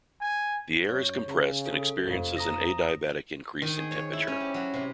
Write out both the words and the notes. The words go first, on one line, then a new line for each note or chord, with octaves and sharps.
The air is compressed and experiences an adiabatic increase in temperature.
G#5
F#2 C#5
C#3
A4
F1 F2
A#5 D#6 A#6
D#3
G#4
C#5
E4
C#4
G4
F#3
C3